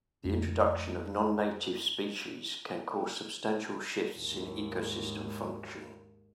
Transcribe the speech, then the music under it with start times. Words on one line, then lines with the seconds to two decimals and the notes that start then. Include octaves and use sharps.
The introduction of non-native species can cause substantial shifts in ecosystem function.
0.25 F2 A3
4.17 D#2 G#2